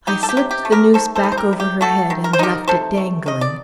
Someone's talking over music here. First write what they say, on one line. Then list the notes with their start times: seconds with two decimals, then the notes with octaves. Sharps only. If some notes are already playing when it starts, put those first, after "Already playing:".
I slipped the noose back over her head and left it dangling.
0.07 D#4 G4
0.23 A4
0.29 G4
0.37 C3
0.51 G4
0.65 A3
0.72 G4 A#4
0.94 D#3 A4 C5
1.15 A4 C5
1.23 D#4
1.32 C5
1.37 G4 A#4
1.53 C3
1.60 G4
1.81 A3 F#4 A4
2.10 D#3
2.24 A#4
2.33 C5
2.39 D#4 G4 A#4
2.68 C3 A4 C5
2.97 A3
3.26 D#3 D#5
3.41 D5